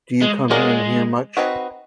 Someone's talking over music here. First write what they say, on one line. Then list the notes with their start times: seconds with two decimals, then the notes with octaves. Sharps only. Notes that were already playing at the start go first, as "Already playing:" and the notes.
Do you come in here much?
0.22 G#3
0.50 G#3 A#3 C#4 F#4 A#4 D5
1.37 C4 D#4 F#4 B4